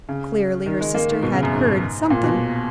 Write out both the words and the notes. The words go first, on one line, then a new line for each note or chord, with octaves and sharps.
Clearly her sister had heard something.
C#3
D#3
G#3
A#3
D#3
B2
C#3
F#2
G#2
A#2
B2